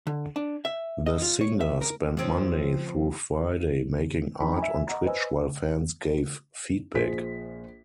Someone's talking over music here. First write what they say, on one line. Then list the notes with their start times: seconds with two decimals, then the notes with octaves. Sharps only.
The singer spent Monday through Friday making art on Twitch while fans gave feedback.
0.07 D3
0.36 D4
0.65 E5
1.06 D#5
1.22 F4
1.41 C#5
1.61 E5
1.81 A#4
2.17 F3 C4 C#4
4.40 F2 D#4 A#5 B5
4.58 E5 G#5
4.87 D#5 F#5 A#5
5.04 B4 C5 D#5 G#5 E6
6.95 A#1 F4 G#4 C5 B6